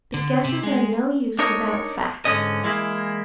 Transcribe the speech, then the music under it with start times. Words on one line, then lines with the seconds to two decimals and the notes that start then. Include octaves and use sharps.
But guesses are no use without facts.
0.14 D3
0.45 C3
0.63 G#3
1.39 D4 D#4 A#4 C#5
2.25 G#2 B2 D3 C#4 D#5
2.63 E3 G#3 A#3 E4